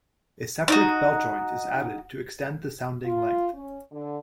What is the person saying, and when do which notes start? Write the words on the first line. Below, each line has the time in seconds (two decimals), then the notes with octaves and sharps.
A separate bell joint is added to extend the sounding length.
0.68 D4 D#4 F#4
3.05 F4
3.53 C#4
3.91 D3